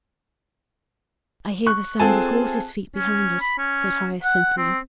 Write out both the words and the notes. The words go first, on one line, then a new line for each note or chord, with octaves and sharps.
"I hear the sound of horses' feet behind us," said Hyacinthia.
C#6 F#6
C4 F4 G#4 A4 G#5 A5
C#4
B5
C#4
F#5
C4